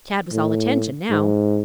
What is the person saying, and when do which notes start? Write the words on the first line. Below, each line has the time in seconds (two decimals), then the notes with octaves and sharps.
Tad was all attention now.
0.32 A2
1.10 G#2